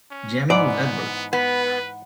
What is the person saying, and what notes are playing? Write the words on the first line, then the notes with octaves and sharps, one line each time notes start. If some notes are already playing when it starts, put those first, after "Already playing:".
Jamming with Edward!
C#4
G#2 E3 B3 D5
B3 B4